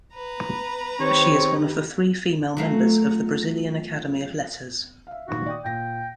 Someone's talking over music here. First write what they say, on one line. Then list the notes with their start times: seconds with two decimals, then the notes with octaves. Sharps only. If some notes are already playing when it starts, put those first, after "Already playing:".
She is one of the three female members of the Brazilian Academy of Letters.
0.15 B4 A#5
1.00 D#3 C4 G4 C#5
2.57 F#3 A3 F4
5.07 E5 F5
5.28 A#2 D#3 F#4
5.46 D5 G5 D#6
5.65 A#2 G5 A#6